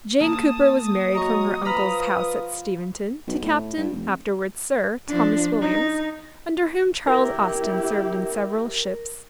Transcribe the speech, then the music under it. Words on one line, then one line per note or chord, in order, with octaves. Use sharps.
Jane Cooper was married from her uncle's house at Steventon, to Captain, afterwards Sir Thomas Williams, under whom Charles Austen served in several ships.
A#3 A5 D#6
F#3 D#5 A#5 C#6
F3 B4 A#5 B5 F6
B1
A2
G2
F1
F3 D4
D#4
E4 G4 A#4